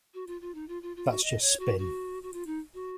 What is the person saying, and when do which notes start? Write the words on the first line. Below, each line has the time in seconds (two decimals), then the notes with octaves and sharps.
That's just spin.
0.14 F#4
0.27 F4
0.41 F4
0.54 D#4
0.68 F4
0.83 F4
0.96 F4
1.10 F#4
1.24 D#5
1.42 C#5
1.59 F#4
1.79 F#4
2.23 F#4
2.33 F4
2.46 D#4
2.74 F#4